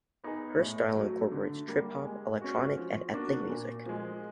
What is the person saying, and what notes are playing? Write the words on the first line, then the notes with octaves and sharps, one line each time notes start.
Her style incorporates trip hop, electronic and ethnic music.
B3 D#4 G#4
A2
F#3 A3
D3
G3 A#3
G#3
C#4 F#4
F3
A#3 D4 F#4
A#2
F3 G#3